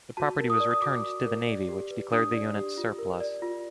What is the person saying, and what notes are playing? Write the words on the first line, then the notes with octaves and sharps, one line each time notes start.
The property was returned to the Navy which declared the units surplus.
F#4 A5
A#4
D#6
D5
D#6
F#4 D6
F#4
A#4
D5
G4
B4
D4 D#6
D5
G4
F4
A#4
D5
F4